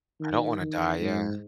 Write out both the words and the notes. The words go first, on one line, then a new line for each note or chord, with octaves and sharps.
I don't wanna die yeah.
D#3
D#3
G#2